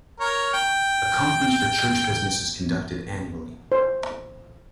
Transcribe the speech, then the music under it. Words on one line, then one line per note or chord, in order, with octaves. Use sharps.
A conference for church business is conducted annually.
A#4 C#5
G5
C5